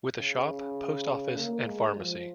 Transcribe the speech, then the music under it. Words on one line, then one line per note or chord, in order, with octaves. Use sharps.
With a shop, post office and pharmacy.
C#3
A#3
G#3
F3